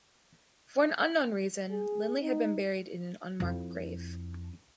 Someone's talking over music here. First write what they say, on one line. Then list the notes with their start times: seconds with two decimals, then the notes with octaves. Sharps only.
For an unknown reason, Lindley had been buried in an unmarked grave.
1.70 G#4
2.21 D#4
3.40 F2 E4